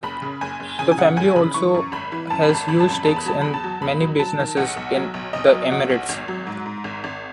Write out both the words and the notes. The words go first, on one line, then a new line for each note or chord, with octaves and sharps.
The family also has huge stakes in many businesses in the Emirates.
F#1 B5
C#3
F#1 G#5
F#1
C#3 G#5
G#5
C#3 F#5
F#1 G#5
C#3 B5
E3 C#6
F#2
G#1 B5
E3
F#2 A5
B5
G#1
A5
G#1 B5
A5
F#2
B5
E2 A5
B5
F#3 A5
E2 B5
A5
F#3
E2 B5
F#3
F#3 A5
D#3
B1 F#5
B1
F#3
B1
B1 D#5
F#3
B1 F#4
B1
G#1
F#3
G#2
G#2
G#1
G#1